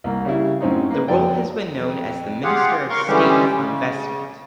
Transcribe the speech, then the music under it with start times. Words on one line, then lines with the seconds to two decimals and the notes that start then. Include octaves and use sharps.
The role has been known as the Minister of State for Investment.
0.04 C2 A#3
0.25 C#3 G3 E4
0.61 F#2 A2 C4 C#4 D#4
0.91 A#3 B4
1.08 F2 F#3 D5 G5
1.73 F2
2.43 F4 G4 G#4 F5 F#5
2.90 A#4 F5 C6 C#6
3.07 D3 E3 G3 G#3 C#4 G4
3.53 C#3